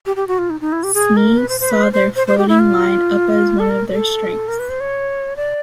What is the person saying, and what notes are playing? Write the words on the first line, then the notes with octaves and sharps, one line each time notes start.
Sneeze saw their floating line-up as one of their strengths.
G4
G4
F#4
F4
D#4
D#4
E4
G4
G#4
A#4
B4
C5
C5
B4
C5
C5
C5
C5
G4
E4
F4
A4
A#4
A4
A#4
B4
C5
C#5
D5